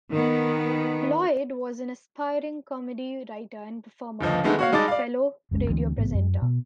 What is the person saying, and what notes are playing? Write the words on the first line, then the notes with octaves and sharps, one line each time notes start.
Lloyd was an aspiring comedy writer and performer, and a fellow radio presenter.
D#3 B3
G1 C#2 F3 D#5
D3 D#3 G#3 A3 B3
F#4 C#5 F5
G3 G#3 D#4 A5 D6 A6
D5 F5
F#1 C#2 C#3 G#3
D2 E3 C4
A1 G#2 C3 B3
F#2
B2